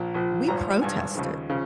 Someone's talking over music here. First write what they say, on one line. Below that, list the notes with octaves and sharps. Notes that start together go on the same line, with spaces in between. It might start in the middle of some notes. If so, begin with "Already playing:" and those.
we protested,
Already playing: A#1 A#2 F3
A#1 A#2 F3
G#1 G2 F3 A#5
G#1 G2 F3 G#5
D#2 C#3 F3
C#3 F3